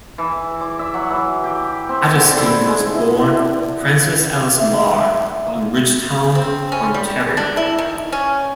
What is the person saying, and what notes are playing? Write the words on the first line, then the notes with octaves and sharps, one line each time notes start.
Adaskin was born Frances Alice Marr in Ridgetown, Ontario.
E3
D6
E5
F#3
E3
G4
C4
D3
E4
G#3
D4 E4 D#5 F#5
D5 E5
A#3 D#6 E6
C4
C#4
G3
D4
E4
D#3
C#4